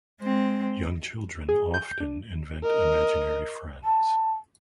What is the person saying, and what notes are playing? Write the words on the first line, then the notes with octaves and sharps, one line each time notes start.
Young children often invent imaginary friends.
G#3 C4
G#4
G6
D4
A#4 D#5
A5